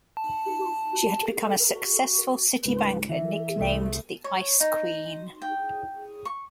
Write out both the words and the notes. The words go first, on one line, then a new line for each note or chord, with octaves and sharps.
She had become a successful city banker nicknamed The Ice Queen.
A5
F#4
C#2 G#2 B4
E3 E5
C2 A3
C#5
D#4
G5
C#6